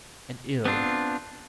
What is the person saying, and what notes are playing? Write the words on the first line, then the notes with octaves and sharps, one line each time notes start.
And ill....
B3 C4 D4 F4